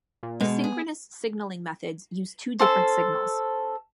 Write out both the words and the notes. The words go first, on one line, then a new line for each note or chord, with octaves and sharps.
The synchronous signalling methods use two different signals.
A#2
B2 G#3
G#4
C#4 F4 A4 C5